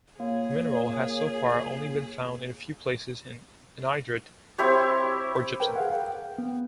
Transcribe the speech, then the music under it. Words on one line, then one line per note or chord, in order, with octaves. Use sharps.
The mineral has so far only been found in a few places in anhydrite or gypsum.
A#2 A#3 G#4 C#5
C4 E4 G4 C#5
A#4 B4 G5
G#4 F5 F#5
G5
B3